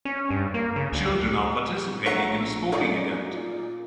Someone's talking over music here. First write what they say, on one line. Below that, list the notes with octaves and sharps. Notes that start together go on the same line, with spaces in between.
Children are participating in a sporting event.
C#4
G2
A#3
C#3
D2
A#1 C#5 E5 F#5 A#5 C#6
F#2 A3 D#4 G#4 C#5 D5
A#2